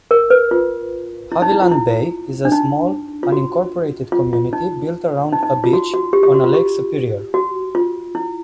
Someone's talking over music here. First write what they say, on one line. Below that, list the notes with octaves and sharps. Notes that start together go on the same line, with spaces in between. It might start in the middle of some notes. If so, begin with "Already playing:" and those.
Havilland Bay is a small unincorporated community built around a beach on Lake Superior.
A#4
B4
F4
E4
D#4
E4
F4
E4
D4
D#4
F4
F#4
F4
F4
D#4
D#4
D#4
F4
F#4
F#4
G4
G4
F#4
F4
G4
F#4
F4
E4